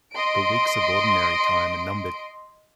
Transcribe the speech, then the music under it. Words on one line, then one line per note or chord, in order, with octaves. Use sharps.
The weeks of Ordinary Time are numbered.
D#5 C6 D7